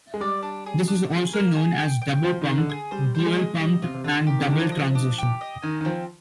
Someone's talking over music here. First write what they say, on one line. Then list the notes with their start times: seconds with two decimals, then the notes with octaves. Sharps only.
This is also known as double pumped, dual-pumped, and double transition.
0.14 G#3
0.21 G3 D5
0.43 D4
0.66 G#4
0.88 D4
1.12 G#4
1.33 A#3
1.56 G#4
1.79 G5
2.02 G5
2.23 F3 C5
2.41 D#3 G#4
2.58 D3
2.70 G#4
2.91 G3 C5
3.15 G3 C5
3.26 G#3
3.36 D#5
3.60 G3 D#5
3.82 C3 F4
3.94 C3
4.04 D3 F4
4.27 D#3 G4
4.39 C3
4.47 D3
4.50 D#3 D4
4.61 F3
4.72 D#5
4.95 D4
5.18 G4
5.41 D#5
5.62 D#3 G#5
5.81 D#3
5.85 F3 C4